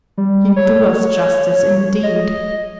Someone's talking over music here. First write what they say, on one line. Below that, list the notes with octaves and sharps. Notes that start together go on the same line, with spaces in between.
You do us justice, indeed.
G3
C#5
D#5